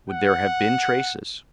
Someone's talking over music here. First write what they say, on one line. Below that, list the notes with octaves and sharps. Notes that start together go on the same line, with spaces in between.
"Would there have been traces?"
F#5